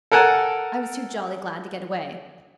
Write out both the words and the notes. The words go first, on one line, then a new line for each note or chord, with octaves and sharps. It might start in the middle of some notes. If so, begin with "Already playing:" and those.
I was too jolly glad to get away.
A4 A#4 F#5 G#5 A5